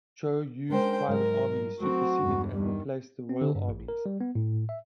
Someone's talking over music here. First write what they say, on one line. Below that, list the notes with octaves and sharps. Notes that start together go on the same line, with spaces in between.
Choe U's private armies superseded and replaced the Royal armies.
G#3 C#4 D4 A#4 C5 G5
G#2 F#3 A#4
F#3 A3 C4 F#4
E2 G2 G#3
D#3 G3
C4
D3
G2
A1
A#4
G3
B3
A2
E5